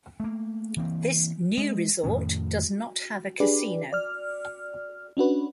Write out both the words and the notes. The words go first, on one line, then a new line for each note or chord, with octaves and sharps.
This new resort does not have a casino.
A3 A#3
E3 A#3 C4
G#3
F2 A2 D#3 C#4
D4 G4 G#4 B4 D5
D5 F6
C#4 D4 F#4 B4